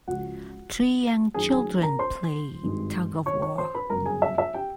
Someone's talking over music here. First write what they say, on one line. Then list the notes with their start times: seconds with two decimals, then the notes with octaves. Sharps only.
Three young children play tugofwar.
0.08 C#2 C#3 F3 F#4 F#5
1.34 F#1 F#2 D#3 F#3 G#4 G#5
1.50 G#4 G#5
1.83 A#4 A#5
1.99 C5 C6
2.63 G#1 G2 D#3 G#3
3.26 C#5 C#6
3.42 C#5 C#6
3.58 C5 C6
3.75 B4 B5
3.90 G1 F#2 C#3 A#4 A#5
4.06 G#4 G#5
4.22 E5
4.38 E5
4.54 G4 G5